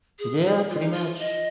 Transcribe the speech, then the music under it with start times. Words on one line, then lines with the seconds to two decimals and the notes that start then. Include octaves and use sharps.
Yeah. Pretty much.
0.19 G#4
0.45 G#4
0.69 F4
0.81 D#4
0.93 F4
1.19 D#5